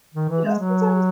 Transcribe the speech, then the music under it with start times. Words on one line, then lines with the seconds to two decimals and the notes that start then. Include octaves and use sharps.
you know, sometimes
0.14 D#3
0.29 E3
0.44 G#3
0.59 F#3